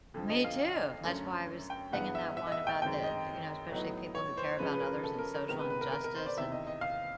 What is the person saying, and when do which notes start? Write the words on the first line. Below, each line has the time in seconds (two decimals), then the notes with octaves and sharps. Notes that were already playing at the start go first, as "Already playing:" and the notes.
Me too, that's why I was thinking that one about the, th you know, especially people who care about others and social injustice and
0.14 F2 D3 F3
0.29 D#5
0.44 F5
1.03 F#2 D3 F#3 A3 C#4
1.70 G5
1.93 G2 E3 G#3 B3 F#5
2.15 E5
2.37 E5
2.47 D#5
2.52 E5
2.67 G5
2.82 F#2 D#3 G#3 C4 G5
3.04 D#5
3.70 A2 F#3 B3 D#4
4.15 C#5
4.38 C5
4.59 C#3 F3 G#3 C#4 B4
4.73 B4
4.81 A#4
5.04 A4
5.19 A#4
5.34 A#4
5.48 C3 D#3 G#3 B3 A#4
5.59 B4
5.70 B4
5.81 A#4
5.92 A#4
6.04 A#4
6.15 C5
6.26 D5
6.37 E2 C3 D#3 E5
6.52 D#5
6.67 D#5
6.81 F5